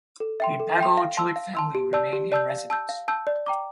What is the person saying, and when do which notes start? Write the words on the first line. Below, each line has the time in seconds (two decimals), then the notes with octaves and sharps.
The Bagot Jewitt family remain in residence.
0.20 A4
0.40 E5 G5 C6
0.60 A4
0.78 E5 G5 C6
0.97 F5
1.17 A5 C6 E6
1.36 F5
1.55 A5 C6 E6
1.75 G4
1.93 D5 A5 E6 G6
2.13 G4
2.32 D5 A5 E6 G6
2.50 F5
2.70 A5 E6 G6
2.89 F5
3.08 A5 E6 G6
3.27 D5
3.46 G5 A#5 D6